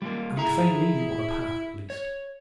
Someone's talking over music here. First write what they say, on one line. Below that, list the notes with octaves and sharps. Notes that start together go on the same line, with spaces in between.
I would fain leave you on a path, at least.
G3 A#3 F4
E4 G#4 A#5
C#5